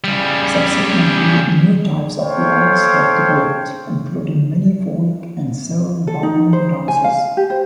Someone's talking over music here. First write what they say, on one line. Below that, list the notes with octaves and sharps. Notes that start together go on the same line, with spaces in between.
Subsequently, new types of waltz have developed, including many folk and several ballroom dances.
C#3 G3
A4 C5 C#5 F5 G5
A4
D#4
C5
G#5
F5
G4
C5